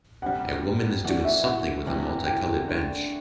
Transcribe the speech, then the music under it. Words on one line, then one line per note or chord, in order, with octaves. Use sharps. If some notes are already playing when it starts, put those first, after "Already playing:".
A woman is doing something with a multicolored bench.
D2 C3 G3 F#5
E3 A3 D4 F#4 F#5
E5
F#5
E2 C3 E3 G3
G5
D3 A3 D4